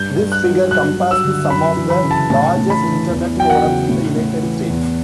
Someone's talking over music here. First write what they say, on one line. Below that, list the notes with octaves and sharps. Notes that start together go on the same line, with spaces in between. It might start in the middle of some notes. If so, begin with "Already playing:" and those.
This figure compares to some of the largest Internet forums in the United States.
Already playing: G2 G6
G2
F#6
F#3
G2 F#6
F#3
E6
D3
F#2 B5
E3
B5
C#3
A5
A2 A5
A2
B5
E3
E2
F#3 G5
F#5
C#3
A2
A2
E3
E2